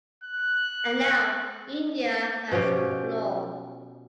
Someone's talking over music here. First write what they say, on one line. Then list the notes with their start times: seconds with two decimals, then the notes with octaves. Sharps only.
And now India has the floor.
0.24 F#6
2.52 B2 F3 C#4 G4